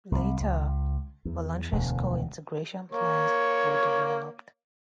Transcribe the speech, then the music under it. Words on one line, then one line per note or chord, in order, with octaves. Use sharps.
Later, voluntary school integration plans were developed.
C2
C#2
E2
E1 D2 D3
A#3 C#5